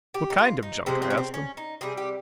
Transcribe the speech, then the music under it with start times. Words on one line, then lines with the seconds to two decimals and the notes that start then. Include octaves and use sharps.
"What kind of junk?" I asked him.
0.14 G4
0.30 D#4
0.38 F4
0.63 D#4
0.86 C3 F3 G#3 C4
1.02 C4
1.10 C#4
1.18 C4
1.34 C#4
1.57 D#4
1.81 C3 G3 G#4
1.97 G4